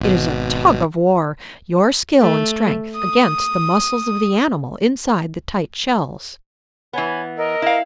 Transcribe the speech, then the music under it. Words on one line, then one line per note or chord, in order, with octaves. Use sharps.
It is a tug-of-war, your skill and strength against the muscles of the animal inside the tight shells.
G#1 B2
A3
D#6
E3 B3 C#5 G#5 B5
A#4 D#5 E6
E4 F5